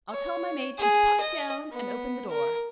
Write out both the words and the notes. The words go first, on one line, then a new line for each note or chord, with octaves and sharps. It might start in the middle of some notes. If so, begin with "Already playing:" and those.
"I'll tell my maid to pop down and open the door."
C#5
G#4
D#5
B3
A#4